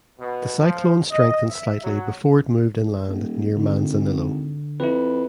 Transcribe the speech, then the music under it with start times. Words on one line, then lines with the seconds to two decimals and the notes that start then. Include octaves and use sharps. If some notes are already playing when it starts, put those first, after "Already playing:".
The cyclone strengthened slightly before it moved inland near Manzanillo.
0.20 B2
0.58 F3
1.11 D#5
1.50 E5
1.84 F#3
3.08 D#1
3.57 G#1 D3
4.80 F2 E4 B4